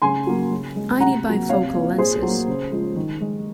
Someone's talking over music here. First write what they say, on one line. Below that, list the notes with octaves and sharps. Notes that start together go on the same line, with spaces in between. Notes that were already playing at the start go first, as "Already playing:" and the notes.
I need bifocal lenses.
C#3 G#5 C6
F#3 A#3
C#3
G#3
C3 F#5 A#5
F#3 A#3
C3 C#5 F5
F3 A#3
A#2 G#4 C5
F#3
A#3
C#3
F3 G#3
D#3
G#3